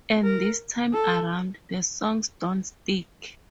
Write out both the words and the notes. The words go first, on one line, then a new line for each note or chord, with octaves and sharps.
And this time around, the songs don't stick.
A#4
A4